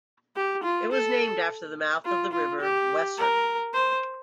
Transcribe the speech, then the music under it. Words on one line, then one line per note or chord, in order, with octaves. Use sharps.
It was named after the mouth of the river Weser.
G4
F4
A4
F4
F4
G4
A#4
C5